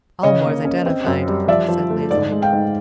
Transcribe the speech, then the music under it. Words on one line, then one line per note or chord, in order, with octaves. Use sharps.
"Aylmore's identified," he said lazily.
C#3 C#5 D#5
A#3
C#4
C4
F#2
G3
F3 D5 E5
F3
A3
G#2 D5
G#3
F5 G5
G#2